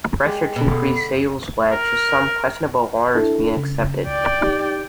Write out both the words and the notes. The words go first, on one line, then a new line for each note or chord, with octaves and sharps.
Pressure to increase sales led to some questionable orders being accepted.
G#3 G4
B2
D3 F5
A#4
D4 E4 A4
C#3
C#2 D5 G5
D#4 G4